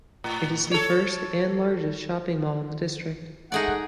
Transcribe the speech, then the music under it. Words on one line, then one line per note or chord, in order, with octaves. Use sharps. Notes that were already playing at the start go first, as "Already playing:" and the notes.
It is the first and largest shopping mall in the district.
A2
A4 C#5
G#3 A3 D#4 G#4 D5 F#5